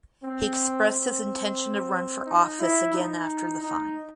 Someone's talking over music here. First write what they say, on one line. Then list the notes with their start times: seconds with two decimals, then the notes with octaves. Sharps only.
He expressed his intention to run for office again after the fine.
0.23 C4
0.91 C4
2.26 D#4
2.60 E4
2.94 D#4
3.61 D#4